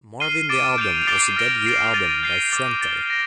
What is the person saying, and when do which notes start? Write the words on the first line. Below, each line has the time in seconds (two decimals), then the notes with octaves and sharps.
"Marvin the Album" was the debut album by Frente!
0.20 F6 C7 D#7 G7
0.49 D6 A6 D7
0.78 G6 D7 F7
1.07 D6 A6 C7 G7
1.36 F6 A#6 D7
1.65 A6 C7 F7
1.94 A6 D#7 G7
2.23 G6 C7 G7
2.52 D6 F6 A6
2.81 A6 D7 G7
3.10 A#6